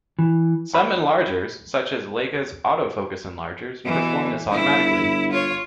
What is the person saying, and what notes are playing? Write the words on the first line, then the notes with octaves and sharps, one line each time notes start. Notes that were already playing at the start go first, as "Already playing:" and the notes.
Some enlargers, such as Leica's "Autofocus" enlargers, perform this automatically.
E3
B5
B2 E3
G1 E4
F4 C#5